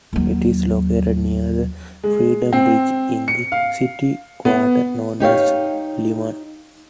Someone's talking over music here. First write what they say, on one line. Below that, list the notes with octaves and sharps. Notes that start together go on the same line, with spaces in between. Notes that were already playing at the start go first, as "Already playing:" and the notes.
It is located near the Freedom Bridge, in the city quarter known as Liman.
D#2 F#3
G#3
C4
C#7
F5
B3
D#4 G4 C#5 F5